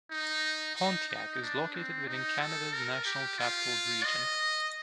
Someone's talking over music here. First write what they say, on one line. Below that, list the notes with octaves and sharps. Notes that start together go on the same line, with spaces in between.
Pontiac is located within Canada's National Capital Region.
D#4
D#4
D#4
D4
C4
D#4
A4
A#4
G4
F4
D#5